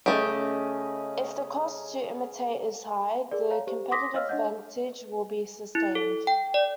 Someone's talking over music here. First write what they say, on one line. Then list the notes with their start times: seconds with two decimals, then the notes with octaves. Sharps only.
If the cost to imitate is high, the competitive advantage will be sustained.
0.06 C#3 A3 G4 G#4 D#5
3.31 G#4 A#4 D5
3.51 C#5 F5 A#5
3.67 G4 C5
3.91 C6 D6 D#6 A#6 B6
4.14 C#5 D#5 F5 E6 F6
4.29 D4 C#5 D#5 F#5 G6
5.75 E4
5.95 A4
6.27 G5
6.54 D5